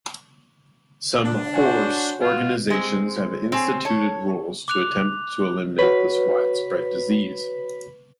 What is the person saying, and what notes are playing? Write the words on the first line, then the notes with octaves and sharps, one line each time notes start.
Some horse organizations have instituted rules to attempt to eliminate this widespread disease.
D4
F#4 C5 C#5 F#5 G#5
F4 F#4
G#3 C4
C4 G#4 C#5
A4 C#5
D6 F#6 F7
F#4 B4 C#5